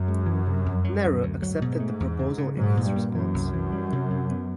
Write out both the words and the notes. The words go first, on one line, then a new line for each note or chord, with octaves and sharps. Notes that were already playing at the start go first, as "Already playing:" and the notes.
Nehru accepted the proposal in his response.
Already playing: F#2
G#3
E3
C3
F2
F#3
D2
D2
G#2 F#3
B2
A3
E2
C#3
C#3
G#2 F#3
A#2
G2
A#3
F#2 E3
C2
E3
G3
C3
C3
B3